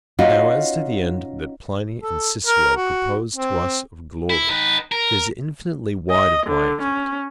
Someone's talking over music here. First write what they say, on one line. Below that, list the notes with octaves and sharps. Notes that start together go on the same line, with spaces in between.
Now, as to the end that Pliny and Cicero propose to us of glory, 'tis infinitely wide of my account.
C#4 D#4 F4 F#4
A4
A#4
F#4
C4
E4
D#4 B4
A#4
D#5
D3
C#4